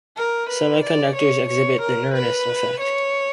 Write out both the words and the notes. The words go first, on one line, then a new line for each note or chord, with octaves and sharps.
Semiconductors exhibit the Nernst effect.
A#4
B4
D5
C#5
C#5
A#4
B4
C#5